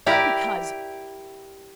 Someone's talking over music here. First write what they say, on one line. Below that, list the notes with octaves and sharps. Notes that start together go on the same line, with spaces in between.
What because?
E4 G4 A#4 D5